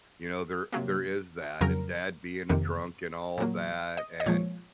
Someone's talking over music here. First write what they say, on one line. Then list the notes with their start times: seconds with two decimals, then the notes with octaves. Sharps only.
you know? There there is that and dad being a drunk and all of that, and
0.72 C3 F#3 A#3
1.61 F2 C#3 F#3 A#4
2.49 F2 C3 D#3 A#3
3.38 A#2 F#3 A#3
3.97 D#5
4.20 D#5
4.26 A#2 F3 G#3 C#5